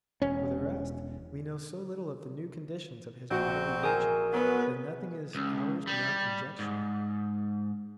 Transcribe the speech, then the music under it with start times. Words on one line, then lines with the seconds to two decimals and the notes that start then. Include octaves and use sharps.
For the rest, we know so little of the new conditions of his bodily nature, that nothing is ours beyond conjecture.
0.22 E1 C#4
3.31 A#1 C4 F#4
3.83 G#4 A#4 G#5
4.32 F#3 B3 B4
5.35 C#2
5.87 G3
6.59 G#2